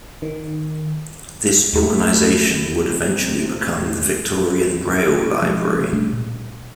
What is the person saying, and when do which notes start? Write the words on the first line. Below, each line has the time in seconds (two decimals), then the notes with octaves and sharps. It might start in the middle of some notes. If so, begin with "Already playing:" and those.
This organisation would eventually become the "Victorian Braille Library".
0.22 D#3
1.73 D#2 A3 E4
2.87 A2 C3 C4
5.42 F3 G#3
5.93 C3 G3 A3 D4
6.13 A#2